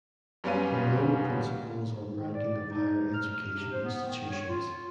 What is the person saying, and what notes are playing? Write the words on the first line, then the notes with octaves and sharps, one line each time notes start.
Berlin Principles on Ranking of Higher Education Institutions.
F#2 G3 B3 C#4 F5 D#7
D#3
D5
D#4
F6
C3
C5
B3
D#3
C#5
F4